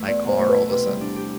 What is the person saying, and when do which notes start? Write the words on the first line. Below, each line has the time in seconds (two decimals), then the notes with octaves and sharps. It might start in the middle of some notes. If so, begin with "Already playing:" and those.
my car all of a sudden s
Already playing: E3 A3 E4
0.08 E2 D5
0.24 B2 C5
0.39 A3 C5
0.49 B4
0.54 E4
0.70 C3 B4
0.86 G3
1.01 D4
1.16 G4